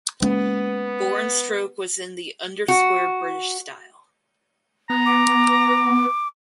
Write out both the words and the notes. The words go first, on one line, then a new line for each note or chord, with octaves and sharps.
Bore and stroke was in the undersquare British style.
G#3 A#3 B3 C#4
F#4
B3 A#5
D6